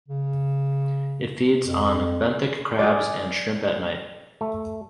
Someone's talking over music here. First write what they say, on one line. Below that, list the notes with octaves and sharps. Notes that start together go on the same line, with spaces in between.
It feeds on benthic crabs and shrimp at night.
C#3
F2
G#4 D5
A3